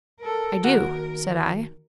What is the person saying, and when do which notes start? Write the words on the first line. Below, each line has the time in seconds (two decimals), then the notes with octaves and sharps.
"I do," said I.
0.20 A4 A#4
0.64 D#2 F#4 A#4 F#5